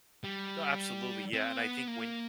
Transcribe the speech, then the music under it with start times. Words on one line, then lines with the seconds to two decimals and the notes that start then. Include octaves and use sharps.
no, absolutely, yeah, and I think when
0.24 G3
1.33 C4
1.60 B3
1.88 A#3